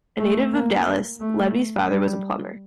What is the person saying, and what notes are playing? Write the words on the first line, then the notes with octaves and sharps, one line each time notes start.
A native of Dallas, Levy's father was a plumber.
A3
A#3
A3
G3